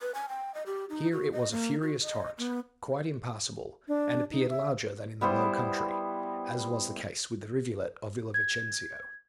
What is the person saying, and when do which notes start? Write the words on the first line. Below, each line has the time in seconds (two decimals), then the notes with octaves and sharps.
Here it was a furious torrent, quite impassable, and appeared larger than in the low country, as was the case with the rivulet of Villa Vicencio.
0.02 B4
0.15 G#5
0.29 G5
0.54 D#5
0.66 G4
0.90 D#4
1.12 F#4
1.32 D#5
1.51 A#3
1.82 F#4
2.02 D#5
2.38 B3
3.88 D4
4.31 D#4
4.49 E5
5.21 G3 B3 E4 C5
8.34 G#6